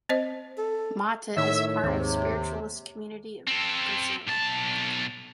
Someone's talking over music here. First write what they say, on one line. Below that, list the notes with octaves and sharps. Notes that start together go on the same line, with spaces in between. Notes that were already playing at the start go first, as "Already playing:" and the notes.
Motta is part of spiritualist community of Brazil.
C4 C5 D#5
A4
A2 D#3 C#5 E5 E6
D#2 G#2 C3
C4 A4
B1 A5